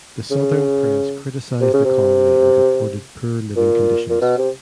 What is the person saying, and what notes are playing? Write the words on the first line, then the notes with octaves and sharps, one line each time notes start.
The southern press criticized the colony and reported poor living conditions.
C#3
C3
C#3
C3
A#2
A#2
B2
C3